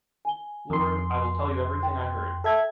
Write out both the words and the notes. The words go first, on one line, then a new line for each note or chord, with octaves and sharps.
Lord, I will tell you everything I heard.
G#5 G7
F2 C6
G5
A4 E5 G#6